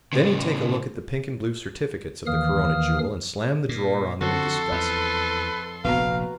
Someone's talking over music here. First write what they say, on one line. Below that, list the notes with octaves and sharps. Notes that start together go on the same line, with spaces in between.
Then he'd take a look at the pink and blue certificates of the Corona Jewel and slam the drawer on them in disgust.
A2 C#3
D#2 D#3 E3 F5 D#6 F6
A#2
F2 D3 F#4 A4 C6
E2 B4
F1 A#1 B3 F#4 F5 A#5